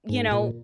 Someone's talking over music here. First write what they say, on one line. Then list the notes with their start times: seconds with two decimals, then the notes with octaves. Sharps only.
you know,
0.09 G#2
0.31 A#2